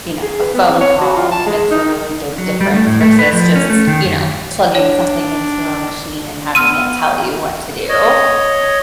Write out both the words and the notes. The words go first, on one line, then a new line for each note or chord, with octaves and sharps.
you know, a phone call makes a really big difference versus just, you know, plugging something into a machine and having it tell you what to do,
G#4
B4
B3
C4
C#5
F#4
F4
A5
G#3
D#4
F#3
G3
A3
A2
A3
B4
F3
C#4
A3
D#3
F#2
D4 C#5
B3 C6 E6 F6 D#7
C#5 D#5